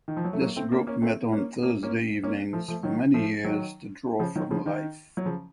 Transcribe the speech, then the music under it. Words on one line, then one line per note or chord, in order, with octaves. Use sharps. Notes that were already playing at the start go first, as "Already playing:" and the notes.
This group met on Thursday evenings for many years to draw from life.
D#3
F3
F#3
A3
F#3 A#3
A3 C4
A#3 C#4
A#3 C#4
A3 C4
A#3 C#4
A#3 C#4
A#3 C#4
A#3 C#4
F3 A3
F3 A3
D#3 F#3
F3 A3
D#3 F#3
C#3 F3
D#3 F#3
C#3 F3
D#3
F#3
C#3 F3